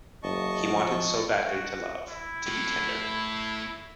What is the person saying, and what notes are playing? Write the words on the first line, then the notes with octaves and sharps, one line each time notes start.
He wanted so badly to love, to be tender.
F#1 D#5 A5 C#6
F3
F#4
E4
A2